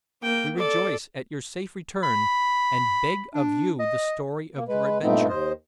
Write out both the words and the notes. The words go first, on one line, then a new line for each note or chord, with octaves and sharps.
"We rejoice at your safe return and beg of you the story of your adventure."
A#3 G5
A4 D5
B5
D4
D#5
A#3
G#3 B4
G2 A#2 A3 B3 C4 D#4
D#2 C5 D#5